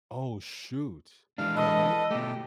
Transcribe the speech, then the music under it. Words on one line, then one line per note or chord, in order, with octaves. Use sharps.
Oh, shoot. On a hike?
E3 G#3 D4 F5
A4 B4 D#5
B2 A3 G4